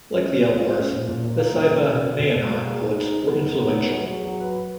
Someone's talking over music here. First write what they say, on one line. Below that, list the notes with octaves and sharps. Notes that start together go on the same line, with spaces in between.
Like the Alvars the Saiva Nayanar poets were influential.
C#4
C#4
F4
F4
C#4
A#2
A#2
A#2
A#3
C#4
B2
C#4
B2
B2
B2
A#3
G#4
D#4
G#4
D#4
B3
D#4
B3
C#5
F#3
G#4
F#3
B4
B4